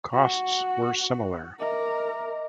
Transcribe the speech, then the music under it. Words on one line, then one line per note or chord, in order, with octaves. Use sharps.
Costs were similar.
F#4
A#4 D#5 E5 D6